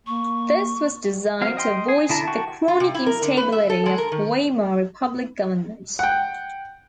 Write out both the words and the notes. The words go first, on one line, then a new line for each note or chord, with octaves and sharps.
This was designed to avoid the chronic instability of Weimar Republic governments.
A#3 C#6
F#3 C4 F5
D#5 G5 C6
G#4
D3 E4 A5 A#5
F#4 G5 A5 C#6
F4
C3
E4
A#4
D3
B4
E5
A4
G#3
A#4
D#3
F#5 G5